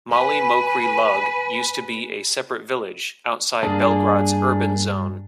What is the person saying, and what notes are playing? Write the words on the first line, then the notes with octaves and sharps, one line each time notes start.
Mali Mokri Lug used to be a separate village, outside Belgrade's urban zone.
B4 G#5
G2 A#3 D4 G#4 A5